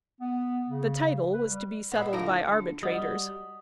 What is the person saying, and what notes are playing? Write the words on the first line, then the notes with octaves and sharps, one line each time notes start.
The title was to be settled by arbitrators.
B3
C#3
B4
G3
A#2 B3 D#5 E5 F#5
D3 A3 E4 F4 F5 A#5
D4
G3 F#4 D#5 F#5 D#6